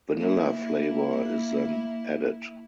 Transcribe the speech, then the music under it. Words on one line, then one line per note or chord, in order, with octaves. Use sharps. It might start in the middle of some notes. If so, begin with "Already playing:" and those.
Vanilla flavor is then added.
A#3 E4